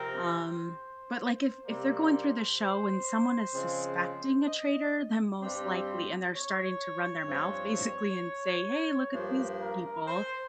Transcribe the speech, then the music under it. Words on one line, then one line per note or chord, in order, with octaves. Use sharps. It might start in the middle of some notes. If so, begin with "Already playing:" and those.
um, but like if if they're going through the show and someone is suspecting a traitor, then most likely and they're starting to run their mouth basically and say, "Hey, look at these people,"
Already playing: C3 F3 C4 A#4
C5
C3 G3 A#3
C5
C#3 F3 G#3 C4
D#5
G2 G3 C4
C#5
G2 F3 C4
G2 F3 A#3 C5
A#4
C5